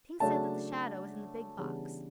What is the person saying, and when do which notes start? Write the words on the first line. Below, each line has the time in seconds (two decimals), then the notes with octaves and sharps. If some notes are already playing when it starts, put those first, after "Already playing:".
Tink said that the shadow was in the big box.
0.20 C#3 F#3 A3 D4 A5
1.58 C#3 E3 G3 B3 D4